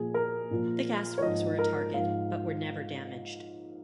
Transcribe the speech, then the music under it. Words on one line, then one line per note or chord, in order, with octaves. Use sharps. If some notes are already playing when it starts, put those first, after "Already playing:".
The gas works were a target, but were never damaged.
Already playing: A#2 F3 G#4
A#4
A#2 F3
C#5
G#2 F3 D#5
A#4
G#2 F3 F5